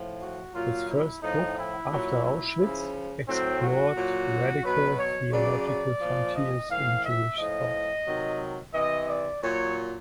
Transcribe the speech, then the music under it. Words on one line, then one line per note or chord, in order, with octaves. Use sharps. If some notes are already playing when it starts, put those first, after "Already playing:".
His first book, "After Auschwitz", explored radical theological frontiers in Jewish thought.
Already playing: A2 F3
F#4
A#2 F#3 F4
E4
A2 F3 D#4
E4
A#2 F#3
E4
C#3 F3
A2 F#3 C4
F#4
A#2 F#3
B2 F#3 B4
C#5
C#3 F#3 D5
D5
A#2 F3
D#5
A2 E3 F5
E5
A2 F3 D#5
C3 D#3 F#3
C3 E3 D#5
D5
A#2 F#3 C#5